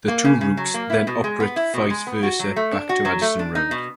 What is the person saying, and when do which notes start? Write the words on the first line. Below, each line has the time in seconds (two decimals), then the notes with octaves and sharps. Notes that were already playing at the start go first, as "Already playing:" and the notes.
The two routes then operate vice versa back to Addison Road.
0.08 A#3
0.25 C#3
0.41 C#3
0.57 F#3
0.74 A#3
0.90 E4
1.07 B2
1.24 G#3
1.40 B3
1.56 E4
1.74 B2
1.90 G#3
2.07 B3
2.23 F#4
2.39 F#3
2.56 A3
2.72 D4
2.89 F#4
3.05 F#3
3.22 A3
3.39 D4
3.55 D#4
3.71 B2